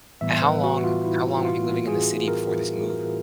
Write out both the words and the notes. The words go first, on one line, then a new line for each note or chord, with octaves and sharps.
H How long how long were you living in the city before this move?
A2 E3 G3 B3 E5
B4
F#4
F4
E4
F4
G#4
A#4
A#4